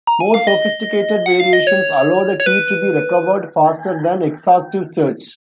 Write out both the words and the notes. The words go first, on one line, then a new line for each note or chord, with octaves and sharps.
More sophisticated variations allow the key to be recovered faster than exhaustive search.
A#5
G#5
F5
D#5
F#5
F5
D#5
C#5
C#5
B4